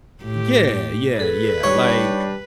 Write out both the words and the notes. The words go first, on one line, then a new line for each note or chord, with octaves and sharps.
Yeah, yeah, yeah. Like,
A2 G4
G#4 A4 B4
G3 D4 D#4 C#5